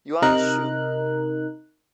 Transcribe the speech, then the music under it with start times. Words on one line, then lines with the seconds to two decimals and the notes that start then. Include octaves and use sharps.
Yuan Shu.
0.22 C3 D#4 A#4 F#6